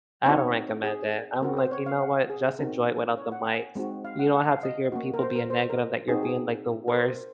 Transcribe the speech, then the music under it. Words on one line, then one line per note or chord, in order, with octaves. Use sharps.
I don't recommend it, I'm like, "You know what? Just enjoy it without the mics." You don't have to hear people being negative that you're being, like, the worst
C4 D#4 F#4 C#5
G#4
C4 F#4 A#4
C5
C#5
F5
F#5
G#4
C4 D#4 F#4 A#4
C#5
F#5
G#5
G#3 C4 D#4 F#4
F5
F#5
F#5
F5
D#5
A#3 C#4 F#4
A#4
C5
A#4
C5
A#4
C4 D#4 F#4 G#4
G#4
A#4
C5